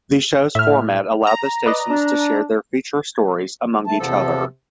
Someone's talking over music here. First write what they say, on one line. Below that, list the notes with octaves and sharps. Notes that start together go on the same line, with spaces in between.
The show's format allowed the stations to share their feature stories among each other.
A2 E5 F6
A#5
B4 D5 D#5
D4
A3 A5
E2 C3 F3 A4